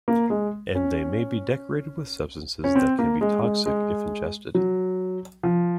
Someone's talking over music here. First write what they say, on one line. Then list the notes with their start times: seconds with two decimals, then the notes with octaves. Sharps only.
And they may be decorated with substances that can be toxic if ingested.
0.08 A#3
0.30 G#3
0.75 C#4
2.64 C#4
2.75 C4
2.99 A#3
3.21 G#3
3.43 G#3
3.66 G#3
4.55 F#3
5.43 F3